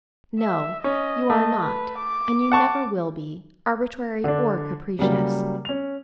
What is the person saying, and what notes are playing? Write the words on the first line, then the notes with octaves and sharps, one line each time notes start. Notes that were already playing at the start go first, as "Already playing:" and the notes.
No, you are not, and you never will be, arbitrary or capricious.
E5
C#4 D#5
A3
B4
D6
F#5 A5 C#6
D3 D4
C#3 F#3 G3 A#3
C#4 F7